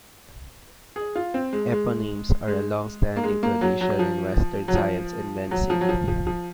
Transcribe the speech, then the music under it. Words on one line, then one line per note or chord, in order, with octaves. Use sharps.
Eponyms are a longstanding tradition in Western science and medicine.
G#4
F4
C4
G#3
G#3
G#3
A#3
G#3
A#3
F#3
F#3
F3
F#3
F3
F#3
F3
F#3
F3
F3
F3